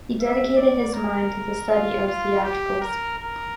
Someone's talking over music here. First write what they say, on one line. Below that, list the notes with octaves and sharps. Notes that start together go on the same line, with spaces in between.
He dedicated his mind to the study of theatricals.
E5
D5
A#4
F4
F4
G4
A#4
A#4